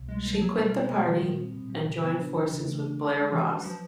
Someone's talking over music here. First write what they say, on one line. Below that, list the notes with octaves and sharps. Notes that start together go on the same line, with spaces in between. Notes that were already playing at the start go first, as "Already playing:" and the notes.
She quit the party, and joined forces with Blair Ross.
Already playing: C2 B2
G3 G#3
A#3
F3
F#3 G#3
B2 G3
B3
G#3
B2
D#3 G3
A#2
C4
A#2
F#3
C#3
B3
D4
E3
C#3
A3
D4
C#4
G#3
E3 F#4
B4
E3
F3 F#3